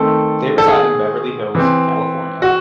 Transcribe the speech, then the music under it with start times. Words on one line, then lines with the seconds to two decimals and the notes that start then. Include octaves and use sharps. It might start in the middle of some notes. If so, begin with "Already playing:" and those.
They reside in Beverly Hills, California.
Already playing: D#3 A3 C4 A4
0.58 A4
0.68 G#4
1.55 E3 C4
2.42 F#4